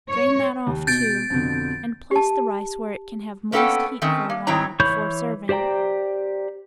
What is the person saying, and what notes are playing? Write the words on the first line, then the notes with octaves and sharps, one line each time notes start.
Drain that off, too, and place the rice where it can have moist heat for a while before serving.
C#5
D#2
B2 G6 A6 D7
F2 B2 D3
G4 A5
A#3 B3 C#4 A4 F#5 G5
D#3 A3 C4 C#4
A#3
G#2 D#3 C4 E4 C#5 A#5
E3 C#5 B5 C#6 G6
G4 C5 D5 G5 A#5